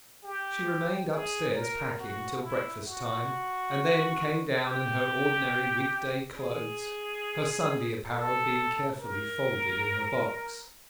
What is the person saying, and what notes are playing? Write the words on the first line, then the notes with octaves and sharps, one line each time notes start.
She remained upstairs packing till breakfast-time, and then came down in her ordinary week-day clothes, her Sunday apparel being carefully folded in her box.
G4
G#4
A#4
F#4
E4
F#4
G4
G#4
A4
A#4